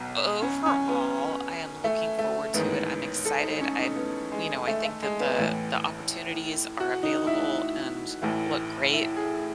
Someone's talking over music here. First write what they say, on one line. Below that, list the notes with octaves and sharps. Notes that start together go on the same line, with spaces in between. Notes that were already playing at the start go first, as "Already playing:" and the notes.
overall, I am looking forward to it, I'm excited, I'm you know, I think that the the opportunities are available, and look great,
Already playing: B1 B2
C#4
C#4
B3
A3
A3
A1 G#2 D#3 B3
A4
D#4
C#4
D#4
B3
G#3
A3
A3
G#3
B3
A1 A2 E3
F#4
D#4
E4
A1 A2 E3
E4
G#4